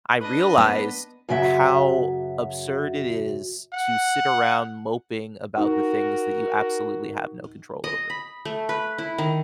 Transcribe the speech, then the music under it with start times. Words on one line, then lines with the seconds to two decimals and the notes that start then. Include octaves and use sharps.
I realized how absurd it is to sit around moping about the things that you absolutely have no control over.
0.20 D4 B4 D#5
0.58 B3
1.29 F#2 C#3 F#3 E5
3.73 F#5
5.57 D#4 F#4 A#4
7.84 D#5
8.10 B5
8.45 A3
8.69 B4
8.98 E4
9.18 D#3